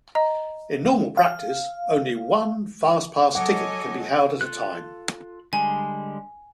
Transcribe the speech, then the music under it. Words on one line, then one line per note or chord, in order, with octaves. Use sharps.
In normal practice, only one Fastpass ticket can be held at a time.
D#5 A#5
F5
F#3 A4 C#5 D#5 F#5 G#5 D6
F4 A4 F#6
D3 G3 G#3 G#5